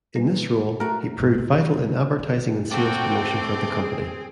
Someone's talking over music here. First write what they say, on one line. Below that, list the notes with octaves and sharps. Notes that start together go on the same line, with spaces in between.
In this role, he proved vital in advertising and sales promotion for the company.
G3 A#3 B4
A3 F#4 A#4
G#2 F#3
B2 B3
E3 F4
C3
F3
F3
A3 C4 F#4 A#4 G5 D6
G#4